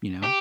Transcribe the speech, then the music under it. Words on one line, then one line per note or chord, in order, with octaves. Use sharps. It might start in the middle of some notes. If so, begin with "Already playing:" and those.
you know,
G4